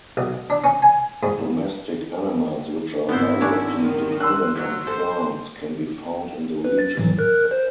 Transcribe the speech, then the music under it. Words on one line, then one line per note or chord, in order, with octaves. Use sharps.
Domestic animals which are directly dependent on plants can be found in the region.
B1
D4
C#4
G#5
G#2
G#1 B3 E4 C5
C#4 D4 A5
D#3
C6 E6 F#6
F#3
A4 C5
B4
A6
A2 E3 F#3
A#4 F#6
C5